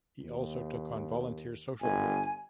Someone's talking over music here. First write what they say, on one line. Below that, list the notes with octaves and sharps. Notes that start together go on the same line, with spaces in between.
He also took on volunteer social work.
D#2
G1 G#5